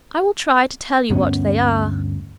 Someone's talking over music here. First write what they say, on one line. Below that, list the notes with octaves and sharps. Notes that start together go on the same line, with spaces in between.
I will try to tell you what they are.
D2 G2 B3 C#4